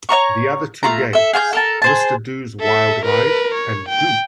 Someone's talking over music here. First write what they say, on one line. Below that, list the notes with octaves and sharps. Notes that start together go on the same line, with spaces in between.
The other two games, Mr. Do's Wild Ride and Do!
C#5 D#5 A#5 C#6
A3 F4 A#5
A4 E5
G#4 F5 G#5 G6
A4 A#4 A5
G#4 C5 A5
A4 E5
A#4 B4
C#5
G5